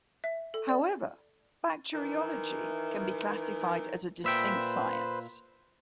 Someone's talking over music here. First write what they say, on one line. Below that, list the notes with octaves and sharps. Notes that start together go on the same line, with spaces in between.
However, bacteriology can be classified as a distinct science.
E5
A4
D5
D#3 E3
A#2 B4 C5 E5 G5